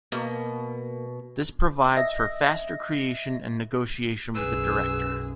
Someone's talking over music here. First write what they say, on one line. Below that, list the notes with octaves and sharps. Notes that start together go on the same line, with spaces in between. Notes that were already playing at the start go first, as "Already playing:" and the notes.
This provides for faster creation and negotiation with the director.
B2 A#3
D#5 E5 A#6
B1 F#2 G#4 B4 E6